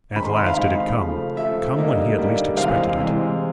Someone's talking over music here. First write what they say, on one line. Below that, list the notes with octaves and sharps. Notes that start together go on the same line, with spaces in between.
At last it had come--come when he had least expected it.
D#3 G#3 C4 D#4 B5
C6
B5
F5
D#3 G#3 C4 D#4
C#3 F3 A3
C#3 F3 A3 E5
D3 G3 A#3 D#4
D3 G3 A#3 D#4
C3 E3 G#3 C4 F5
C3 E3 G#3 C4